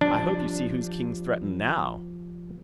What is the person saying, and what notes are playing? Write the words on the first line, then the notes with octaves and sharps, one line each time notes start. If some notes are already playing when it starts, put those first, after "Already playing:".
"I hope you see whose king's threatened, now."
F3 G3 D4 C5